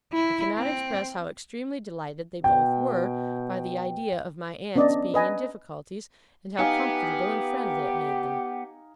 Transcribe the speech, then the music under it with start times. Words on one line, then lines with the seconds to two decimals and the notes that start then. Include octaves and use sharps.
I cannot express how extremely delighted they both were, by the idea of my aunt's being in difficulties; and how comfortable and friendly it made them.
0.13 E4
0.58 C4
2.44 B2 G5
4.76 B3 C#4 D4 D5 D#5
5.14 B4 D#5 G#5
6.59 B3 D#4 G4 F5 G#5